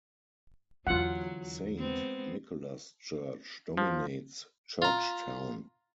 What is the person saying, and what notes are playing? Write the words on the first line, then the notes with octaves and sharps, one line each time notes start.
Saint Nicholas Church dominates Church Town.
E2 D3 F#3 F4 F#5
G#3 B3 C4
F3
F4 A#5